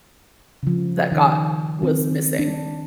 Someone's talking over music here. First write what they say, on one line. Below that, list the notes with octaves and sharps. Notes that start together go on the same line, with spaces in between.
that got was missing,
C#3 F3
D#3
D#3 C4
D4